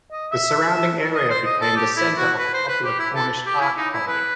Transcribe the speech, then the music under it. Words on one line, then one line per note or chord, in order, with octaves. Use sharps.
The surrounding area became the center of the popular Cornish Art Colony.
D#5
E5
D#5
C5
D#5
A4
G4
E4
F#4
B4
C5
B4
G4
E4
A4
G4
E4
D#4
E4
B4